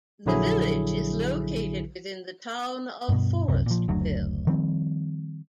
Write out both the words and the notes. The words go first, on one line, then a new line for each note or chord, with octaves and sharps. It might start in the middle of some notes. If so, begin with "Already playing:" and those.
The village is located within the Town of Forestville.
A#1 D3 F#3 E4 G#4
G2 B2
C2 F#2 C3
A#2 F3
F#1 D2 F#3
D#3 F3 G3 C4